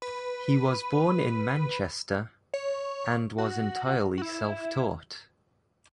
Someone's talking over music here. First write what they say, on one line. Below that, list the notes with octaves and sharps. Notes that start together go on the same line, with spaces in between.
He was born in Manchester, and was entirely self-taught.
B4
C#5
F#4
F#4
E4